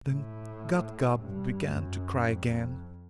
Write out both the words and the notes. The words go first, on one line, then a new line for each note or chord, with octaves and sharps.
Then Gub-Gub began to cry again.
A2
G2
F#2
F2